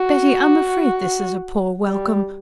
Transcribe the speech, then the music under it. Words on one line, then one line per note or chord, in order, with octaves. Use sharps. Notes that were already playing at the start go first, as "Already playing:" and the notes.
Betty, I'm afraid this is a poor welcome.
Already playing: F#4
G3